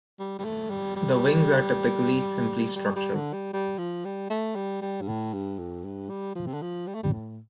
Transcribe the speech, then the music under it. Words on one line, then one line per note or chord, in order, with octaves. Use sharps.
The wings are typically simply structured.
G3
G3
A3
G3
G3
G3
G3
D3
G3
G3
F3
G3
A3
G3
G3
G2
A2
G2
F2
G2
G3
F3
C3
D3
F3
G3
A3
G3
A2